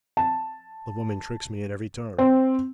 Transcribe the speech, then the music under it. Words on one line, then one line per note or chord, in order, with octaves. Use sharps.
The woman tricks me at every turn!
A5
C4